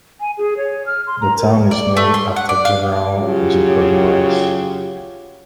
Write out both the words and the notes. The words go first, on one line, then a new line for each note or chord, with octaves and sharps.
The town is named after General Jacob Morris.
G#5
G#4
C#5
F6
C6
A#5
A#4
D5
A3
C6
F#5
D5
F5
C#3 F#3 F4 G4